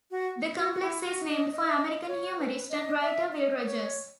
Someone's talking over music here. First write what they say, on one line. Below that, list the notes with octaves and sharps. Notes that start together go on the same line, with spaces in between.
The complex is named for American humorist and writer Will Rogers.
F#4
F#4
F#4
E4
F#4
D#5
D#5
E5
D#5
C#5
B4
D#5
E5
D#5
C#5